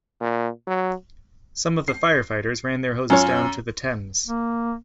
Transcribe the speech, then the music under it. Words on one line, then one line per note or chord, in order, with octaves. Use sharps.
Some of the firefighters ran their hoses down to the Thames.
A#2
F#3
C7
F#2 C#4 F4 C#5
A#3